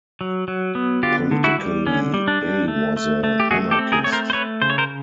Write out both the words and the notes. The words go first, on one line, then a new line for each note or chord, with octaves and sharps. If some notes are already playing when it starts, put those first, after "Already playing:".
Politically, Bey was a monarchist.
F#3
F#3
B3
D3 F4 G4
D3
E4 F#4
G3
D3 C#4
G3
D4
G3
A3
A3
A3
G4
A3 F#4 G#4
G4 A4
C4
G#4 A#4
A3 C#5
A#4 C5
C5
A3 B4 C#5
C#3 C5
C#5
A#4 C5